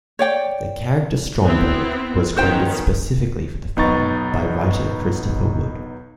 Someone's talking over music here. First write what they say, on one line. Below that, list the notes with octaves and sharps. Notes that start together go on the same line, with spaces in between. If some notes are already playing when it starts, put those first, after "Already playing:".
The character Stromberg was created specifically for the film by writer Christopher Wood.
C#5 D5 G5
B3 C4 E4
D#3 B3 C#4 F#4 C5 G5
B1 B3 D#4 A#5 C#6 A6